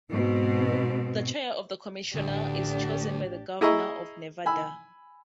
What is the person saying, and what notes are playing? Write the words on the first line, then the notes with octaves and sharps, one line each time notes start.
The chair of the commissioner is chosen by the Governor of Nevada.
G#2 B2 C4
A1 D2 D4 G4
E4 G#4 D#5 A#5 C#6 E6
G#5 B5 E6